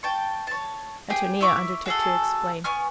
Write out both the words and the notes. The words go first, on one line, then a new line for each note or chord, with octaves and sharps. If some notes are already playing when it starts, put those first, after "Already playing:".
Antonia undertook to explain.
G5 A5 C#6
C#5 A5
G4 G#4 G5 G#5
E4 E5 C#6 D6
F#4 G#4 A4
B3 G#5 C#6 F6